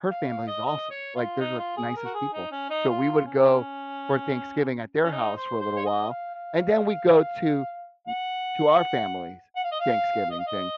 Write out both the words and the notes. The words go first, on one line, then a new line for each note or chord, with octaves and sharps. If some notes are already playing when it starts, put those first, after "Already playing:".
her family is awesome, like, there's the nicest people, so we would go for Thanksgiving at their house for a little while, and then we go to m to our family's Thanksgiving thing.
F5
F5
D#5
D#5
C#5
F4
D#4
F4
G#4
A#4
F#4
G#4
D#4
C#4
D#4
F4
C#4
C#4
D#4
C5
C5
C#5
D#5
F5
F5
F#5
F#5
F5
D#5
F5
D#5
F5
D#5